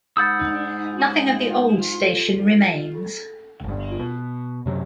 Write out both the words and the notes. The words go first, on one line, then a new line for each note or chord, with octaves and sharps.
Nothing of the old station remains.
G#2 F#5 B5 D#6 E6 G6 A6
G1 G2
B2
F#2 C3 F#3